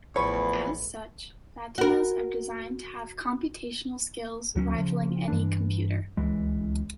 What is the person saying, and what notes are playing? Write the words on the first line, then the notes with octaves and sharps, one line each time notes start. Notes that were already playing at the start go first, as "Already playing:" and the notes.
As such, Fatimas are designed to have computational skills rivaling any computer.
A1 E2 F3 B4 C#5 C#6
F#4 A#4
D2 F#3 A3 C#4
C#3 F3
G2 E3 D4
D1 C#2 E3 G#3